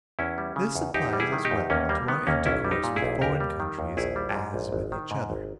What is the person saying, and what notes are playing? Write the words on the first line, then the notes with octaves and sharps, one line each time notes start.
This applies as well to our intercourse with foreign countries as with each other.
E2 C#4 E4
G3
C#3
E2
E2 D#4 G4
G3
E4 G#4
D#3
D#4 G4
E2
D#2 A#3 C#4
G3 A#3
D#3 B3
D#2 A#3 C#4
B1 C#4 E4
G3
D#4 G4
A#2
E4 G#4
B1
D#2 G4 A#4
G3
D#3
D#2
A#1 E4 G#4
G3
G#2
A#1
G#1
D#3
G#2
G#1